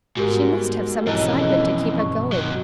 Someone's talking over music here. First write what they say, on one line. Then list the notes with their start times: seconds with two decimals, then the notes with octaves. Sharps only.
She must have some excitement to keep her going.
0.17 G#1 G#2 G3 B3 F#4 G4 A#4
1.06 B1 F2 E3 G#3 C#4 D#4 A4 D#5
1.99 F#1 G2 B2 C#6
2.32 C3 F#3